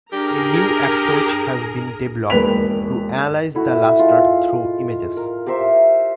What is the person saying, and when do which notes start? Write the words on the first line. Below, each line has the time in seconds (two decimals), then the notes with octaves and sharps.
A new approach has been developed to analyze the luster through images.
0.13 D4 G4 G#4 A#4 A#5
2.30 E1 D#2 B4 B6 F7
3.55 A3 E4 F#4
3.99 G#3 F4
5.17 A#4
5.46 G4 A#4 C5 E5